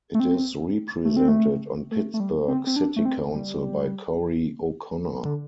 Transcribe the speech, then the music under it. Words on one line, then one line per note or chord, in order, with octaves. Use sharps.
It is represented on Pittsburgh City Council by Corey O'Connor.
A3
C4
A3
C4
A3
A3
A3
G3
C4
C4
D4
A3
C4
G3
D3